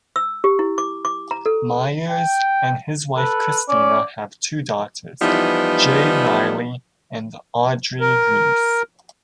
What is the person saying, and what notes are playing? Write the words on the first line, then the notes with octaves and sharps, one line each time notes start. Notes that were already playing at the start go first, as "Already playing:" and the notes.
Meyers and his wife Christina have two daughters, Jaye Riley and Audrey Reese.
E6
G4
E4
D6
D6
A#5
A4
G5
A4 B4
C#4 D5
E3 F3 G3 B3 D#4 E4
A#4